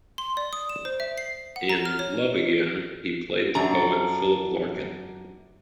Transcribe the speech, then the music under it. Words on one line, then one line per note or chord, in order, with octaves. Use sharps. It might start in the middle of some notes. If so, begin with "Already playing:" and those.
In "Love Again", he played the poet Philip Larkin.
C6
D5
D#6
E7
C5
E5
C7
F#5
A#5
F6
C#5
F#2 D4 A#5